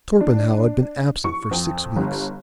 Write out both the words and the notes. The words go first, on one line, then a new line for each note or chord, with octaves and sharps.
Torpenhow had been absent for six weeks.
D4
C#6
F2
G1